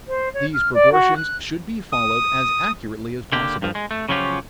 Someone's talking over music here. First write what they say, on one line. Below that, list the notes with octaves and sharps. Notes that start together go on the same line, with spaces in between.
These proportions should be followed as accurately as possible.
C5
C#5
F6
D5
F#4
F#6
D#6
D3 A#3 G4
G2 F3
G#3
A3
C#3 F3 F#3 C#4 F4 G4